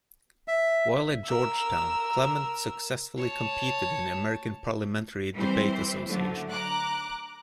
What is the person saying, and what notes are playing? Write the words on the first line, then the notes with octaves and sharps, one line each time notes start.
While at Georgetown, Clement successfully competed in the American Parliamentary Debate Association.
E5
A#4 E6
C#5 A5
E3 G3 C4 C5
D3 F#3 A3
A#5 D6 F#6